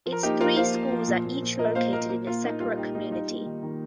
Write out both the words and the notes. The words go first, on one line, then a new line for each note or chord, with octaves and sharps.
Its three schools are each located in a separate community.
F3
A#4
A#3 D#4 G4
F3 F4 A#4
F3 C5 F5
F4
F3
A#2
A#2
A#2
A#2 A#4 D#5
A#3 C5 F5
A#2 A#4 D#5
A#3
A#3 F4
A#3 D#4
G3 F4
D#4 G4
G3 D#4
D#4 F4
A#3
D#3
D#3